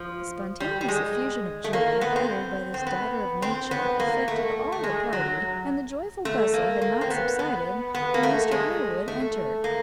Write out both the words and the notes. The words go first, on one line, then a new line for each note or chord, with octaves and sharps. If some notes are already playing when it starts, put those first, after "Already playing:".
The spontaneous effusion of joy, uttered by this daughter of nature, affected all the party, and the joyful bustle had not subsided when Mr. Harewood entered.
Already playing: F3
G3
G3
G#3
A3
A#3
B3
C4
C4
B3
C4
B3
A#3
A3
A3
G#3
F#3
A3
A#3
A#3
C4
B3
B3
B3
A#3
A3
G#3
A3
A#3